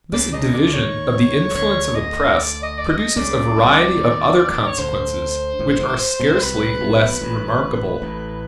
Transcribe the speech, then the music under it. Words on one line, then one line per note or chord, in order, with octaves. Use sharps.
This division of the influence of the press produces a variety of other consequences which are scarcely less remarkable.
C#2 C#3 D5
C#2 C#3 D#5
D2 D3 D5
D#2 D#3 C#5
D2 D3 C#5
D#5
D5
D#5
D5
D#5
C#2 C#3 D5
C2 C3
D#2 D#3
C#5
D2 D3 C5
A1 A2
G#1 G#2
B1 B2
C2 C3 B4
B1 B2
A1 A2
A1 A2